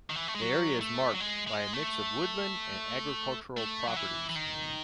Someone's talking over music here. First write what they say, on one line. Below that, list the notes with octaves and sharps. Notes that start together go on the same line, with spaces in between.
The area is marked by a mix of woodland and agricultural properties.
D#3
E3
A3
G#3
F#3
A3
F#3
G#3
G#3
A3
A3
F#3
E3
E3
D#3